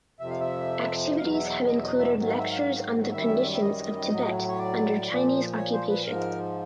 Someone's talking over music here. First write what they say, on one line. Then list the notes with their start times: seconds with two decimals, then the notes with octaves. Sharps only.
Activities have included lectures on the conditions of Tibet under Chinese occupation.
0.20 F2 C3 F3 E5
0.30 F5
0.40 E5
1.18 E2 B2 F#3 F5
1.34 E5
1.50 E5
1.66 D#5
1.77 E5
1.83 D#5
1.99 E5
2.15 G#2 D#3 F#3
2.27 F5
2.39 E5
2.51 F5
3.12 F#2 D#3 G3 E5
3.54 E5
3.62 D#5
4.11 A2 F#3
4.49 C#5
4.59 D5
5.08 A#2 F3
5.56 C#5
5.73 C5
5.89 B4
6.05 G#2 F3 A#4